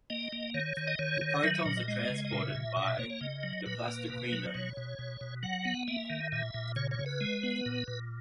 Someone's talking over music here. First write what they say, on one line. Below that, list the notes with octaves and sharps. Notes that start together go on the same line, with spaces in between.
The protons are transported by the plastoquinone.
A#3 D#5
A#3
D#3 C#5
D#3
D#5
D#3 C#5
D#3
F#5
F#3 E5
E5
A#2 D#5
D#5
G#3
C#3
D#5
A#2 E5
A#2
B2 F#5
E5
A#3 C#5
C#5
C#3 D#5
F#3
A#2 B4
A#3
B2
F#3
B2 C#5
B2
B2
B2
F#3 F#5
B3
A#3 E5
D#3
A#2 E5
A#2
C#3 C#5
C#5
C#3
B4
G#3
B3
A#2
A#2